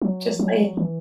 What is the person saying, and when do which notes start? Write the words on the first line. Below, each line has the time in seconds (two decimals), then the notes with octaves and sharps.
just saying
0.02 F#3
0.39 F#3
0.77 E3